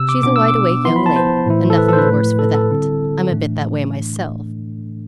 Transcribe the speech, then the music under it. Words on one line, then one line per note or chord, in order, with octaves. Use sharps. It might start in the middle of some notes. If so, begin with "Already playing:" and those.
She is a wide-awake young lady, and nothing the worse for that: I'm a bit that way myself.
Already playing: C3 E6
D6
B2 B3 D4 D6
E6
D6
F3 B3 E4 C6
B5
A5
C5
A2 E3 A3 E4
A4
B4
A4 C5
B4
A2 F3 A3
A4
A4
D3 G3 C4 E4
A2 E3 A3 D4